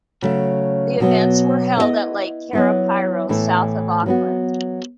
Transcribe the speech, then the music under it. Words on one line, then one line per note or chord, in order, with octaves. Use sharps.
The events were held at Lake Karapiro, south of Auckland.
C#3 F#3 A3
B2 F#3 B3
B3 E4 B4 D#5
F#3 B3 E4
A2 E3 A3 E4
F#3 B3 F#4